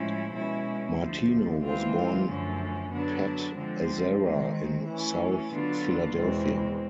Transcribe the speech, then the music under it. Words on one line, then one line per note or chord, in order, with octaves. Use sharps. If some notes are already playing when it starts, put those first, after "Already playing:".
Martino was born Pat Azzara in South Philadelphia.
Already playing: A2 F3 G#3 C#4 E4
B2 G#3 C#4 E4
D2 D3 F3 A3
E3 G#3 C4 F4
F#2 D3 F3 A3 C#4
D3 F#3 B3 D4
D3 F3 G#3 C4
D#3 G#3 C4
E3 A3 C#4
D3 F#3 B3 D4 F4
E2 B2 G#3 C4